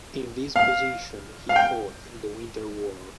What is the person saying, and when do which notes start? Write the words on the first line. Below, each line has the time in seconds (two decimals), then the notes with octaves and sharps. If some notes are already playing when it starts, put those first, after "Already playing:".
In this position he fought in the Winter War.
0.56 F5
1.49 F5
1.56 G5